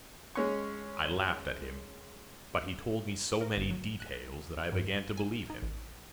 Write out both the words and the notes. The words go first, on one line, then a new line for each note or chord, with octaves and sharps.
I laughed at him, but he told me so many details that I began to believe him.
G#3 C#4 C#6
A#4
G1
F#3
F#6
G2
G#5
D#4
A1